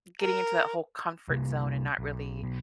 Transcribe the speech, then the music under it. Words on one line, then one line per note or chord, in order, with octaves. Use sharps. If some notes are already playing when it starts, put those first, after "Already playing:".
getting into that whole comfort zone, and not really
A#4
C2 C3 A#3
B1
B1